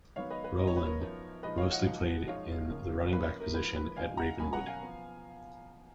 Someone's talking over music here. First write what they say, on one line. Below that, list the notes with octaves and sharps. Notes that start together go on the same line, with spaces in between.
Rowland mostly played in the running back position at Ravenwood.
G#2 D#3 F#3 B3 C#5 F5
B4 D#5
B4
G#2 F#3 C#4 D#5
C#5
B4
A#4 C#5
F#2 F3 B3 D#4
A#2 F3 G#3 D#4 B4 D#5
C#5 F5
D#5 F#5
C#2 B2 F#3 B3 D#4
F#2 F3 G#3 D#4 C#5 F5
C#2 C#3 F3 A#3
F#2 F3 A#3 C#4 B4
A#4
G#2 F3 A#3 B4
B4
D#2 D#3 G#3 D#4 F5 G#5
F#5 A#5
B2 F#3 A#3 C#4 G#5 B5
F#5 A#5
F5 G#5
F3 B3